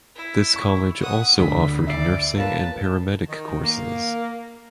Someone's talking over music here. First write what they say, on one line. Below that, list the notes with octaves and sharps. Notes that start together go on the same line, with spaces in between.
This college also offered Nursing and Paramedic courses.
E4
C#6
F#5 D#6
D2 D3 D4 B5
D5 E5 E6 C7
A#3 F4 B4 C#5 A5
D#3
A#3